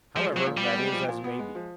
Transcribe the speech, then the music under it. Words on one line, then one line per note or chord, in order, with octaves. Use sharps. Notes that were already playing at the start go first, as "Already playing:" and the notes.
However, that is as may be.
F3 G#3
F3 F#3
A#2
G3
B3
G#3
F3
A#2
B3
G#3
F3